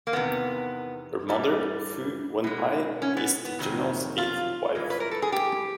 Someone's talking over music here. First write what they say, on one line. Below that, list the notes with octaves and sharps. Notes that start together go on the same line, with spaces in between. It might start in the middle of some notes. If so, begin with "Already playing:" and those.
Her mother, Fu Wenpei, is the general's eighth wife.
A#3
E2 C3 D#3 B3
G2 E3 G3
B2 G#3
C#4
B3
B3
F2 C3 D#3 F#3
F4
G2 E3 G#3
B4
A#4
A4
G#4
G4